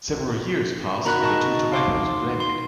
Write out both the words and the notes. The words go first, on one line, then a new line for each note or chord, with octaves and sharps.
Several years passed and the two tobaccos blended.
B2 D#3 F#4 A#5 B5 F#6
D#5 A5 C#6
F5 C6 D6
C6